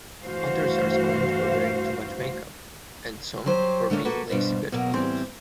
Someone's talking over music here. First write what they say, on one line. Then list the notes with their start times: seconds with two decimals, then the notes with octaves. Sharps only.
Others are scorned for wearing too much makeup, and some for being "lazy bedfellows".
0.23 G2 E3 A3 F#4 C5 F5
3.46 F#3 G4 C5
3.90 D3 A3 A#3 C#4 D4
4.05 A#3 F#4 A4 B4
4.29 G2 B2 C5
4.72 B2 F#3 A#3
4.93 A2 E3 G3 C4 C5